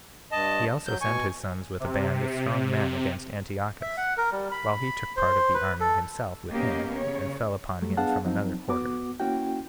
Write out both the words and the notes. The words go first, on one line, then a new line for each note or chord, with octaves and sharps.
He also sent his sons with a band of strong men against Antiochus, while he took part of the army himself with him, and fell upon him from another quarter.
G2 D#5 A5
F#3 G6
B2 G#5 C#6
C3
E5
F#5
A#4
G3
B5
C5
B4
A4
F#2 A#3 B3 C#4 G4 D#5
C#3 C#5
F#3 G3 A3
B3 D4 G#4 F5 F#5 A5
F3 F#3 C4 D#4
F2 B3 F#4 D6
A#3 C#4 E4 F#4 G5